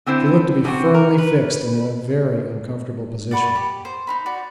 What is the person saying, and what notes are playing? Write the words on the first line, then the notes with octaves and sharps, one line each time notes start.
She looked to be firmly fixed and in a very uncomfortable position.
D3 C4 E4 C5
C3 C4 F#4
A#4
B4
D5 F#5 B5 C#6
G4
C5
D#4 F#4 B5
F#4 D5